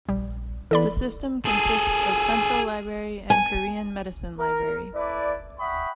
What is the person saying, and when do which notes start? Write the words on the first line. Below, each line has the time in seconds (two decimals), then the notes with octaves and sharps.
The system consists of Central Library and Korean Medicine Library.
0.09 A#1 G3
0.71 E3 B3 A4 D5 B5
1.45 G#4 A4
3.30 G#5
4.38 A#4
4.94 A3 E4 B4 D5
5.59 E5 F#5 G5 B5 C#6 D#6